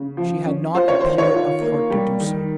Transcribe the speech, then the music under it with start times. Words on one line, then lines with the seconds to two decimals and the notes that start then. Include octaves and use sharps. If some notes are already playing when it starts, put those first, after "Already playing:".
She had not a pure enough heart to do so.
Already playing: C#3
0.17 F3
0.46 C#4
0.74 F4 C5
0.88 C#5
1.00 D#3 C5
1.18 C#5
1.34 F4
1.61 A#3
1.90 G3
2.20 D#3